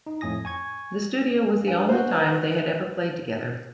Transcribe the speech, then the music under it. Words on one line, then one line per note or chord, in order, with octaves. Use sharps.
The studio was the only time they had ever played together.
D#4
F2 A2 G#5 D#6 A#6
G#5 C#6 G#6
D4 B4 F5 G#5
F#4 C5